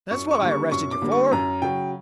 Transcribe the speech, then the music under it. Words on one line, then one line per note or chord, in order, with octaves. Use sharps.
"That's what I arrested you for."
F#2 C#6
C#6
D3 G3 A#3
C#6
F#2 C#6
D6
D3 G3 A#3
C#6
F#2 A#5
C#3 F#3 G5